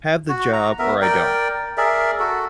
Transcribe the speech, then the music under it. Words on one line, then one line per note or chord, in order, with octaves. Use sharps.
have the job or I don't.
F#4
A#5
B3 A#4 E5
A#4 D5 G5
G#4 A#4 D5 E5
F#4 A4